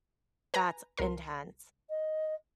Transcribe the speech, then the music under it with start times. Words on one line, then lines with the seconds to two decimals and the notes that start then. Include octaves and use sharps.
That's intense.
0.54 B4 G#5 A#5
0.97 C2 A#4 C6
1.90 D#5